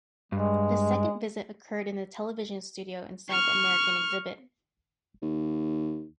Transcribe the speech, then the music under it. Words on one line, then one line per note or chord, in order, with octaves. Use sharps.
The second visit occurred in a television studio inside the American exhibit.
G2 G#3
C#6 F6
D#2